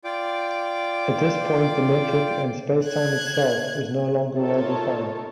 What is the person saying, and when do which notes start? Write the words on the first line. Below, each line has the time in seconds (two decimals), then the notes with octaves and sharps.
At this point the metric, and spacetime itself, is no longer well-defined.
0.04 F4 D5 G5 D6
2.86 F#6 G#6
4.36 D#4 F4 A4 A#4 C#5